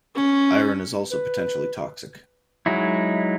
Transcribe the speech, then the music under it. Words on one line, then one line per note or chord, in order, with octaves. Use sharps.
Iron is also potentially toxic.
C#4
B4
F#3 G#3 D#4 E4